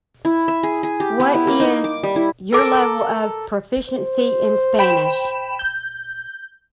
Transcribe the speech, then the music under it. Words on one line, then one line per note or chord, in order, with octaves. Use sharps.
What is your level of proficiency in Spanish?
E4
E5
G#4
G#4
G4
B3
E4
A#3
D#4
D6
G3
E4
A4 A#4 D6
C5
G5 B5 E7
G6